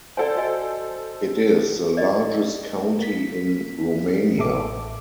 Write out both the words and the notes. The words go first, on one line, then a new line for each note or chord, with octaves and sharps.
It is the largest county in Romania.
A4 C5 D5 F#5 G#5
F#4 D#5 G#5
D5 D#5
A#3 B6
A1 A4 E5 D6